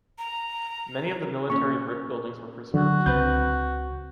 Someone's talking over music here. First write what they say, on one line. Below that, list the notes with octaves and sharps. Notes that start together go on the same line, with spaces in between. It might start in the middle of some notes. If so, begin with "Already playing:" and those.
Many of the military brick buildings were preserved.
A#5
A#2 C#4 C#6
D3 F#3 F#4
C#2 C4 B4 G6